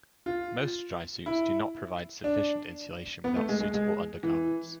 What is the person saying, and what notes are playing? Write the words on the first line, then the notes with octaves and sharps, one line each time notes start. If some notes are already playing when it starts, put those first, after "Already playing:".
Most drysuits do not provide sufficient insulation without suitable undergarments.
F4
E4
D4
B3
A3
G#3
G#3
G#3
E3